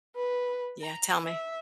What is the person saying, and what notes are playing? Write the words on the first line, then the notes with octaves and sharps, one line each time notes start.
Yeah, tell me.
B4
A#5
E5